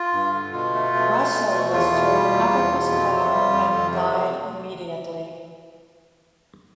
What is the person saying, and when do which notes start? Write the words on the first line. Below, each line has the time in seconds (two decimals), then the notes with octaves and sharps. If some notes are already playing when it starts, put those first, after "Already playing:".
Russo was thrown out of his car and died immediately.
Already playing: F4
0.13 G2
0.33 D3
0.52 B2 F4
0.73 A3
0.93 B2
1.12 A3
1.33 B2
1.52 A3
1.72 E2 F4
1.92 B2
2.12 G3
2.32 E2
2.52 E2
2.72 B2
2.91 F2
3.11 C3
3.31 G3
3.52 F2
3.70 F2
3.91 C3